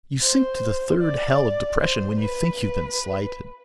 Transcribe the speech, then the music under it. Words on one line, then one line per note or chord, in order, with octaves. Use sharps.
You sink to the third hell of depression when you think you've been slighted.
C5
D5
C5
B4
B4